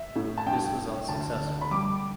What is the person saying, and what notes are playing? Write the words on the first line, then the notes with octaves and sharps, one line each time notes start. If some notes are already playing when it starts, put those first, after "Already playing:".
This was unsuccessful.
Already playing: E5
A2
A5
G2 G5
G2
D2 A5
D3
B5
G3 D6